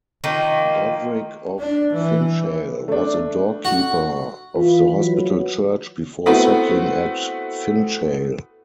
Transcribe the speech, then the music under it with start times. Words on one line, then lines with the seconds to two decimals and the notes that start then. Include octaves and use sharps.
Godric of Finchale was a doorkeeper of the hospital church before settling at Finchale.
0.24 D#3 F3 A#3
1.59 D4
1.94 E3
2.88 A3 D4
3.65 F#4
4.56 E3 F4 B4
4.97 F#3
6.26 A3 B3 C4 E4 F#4 B4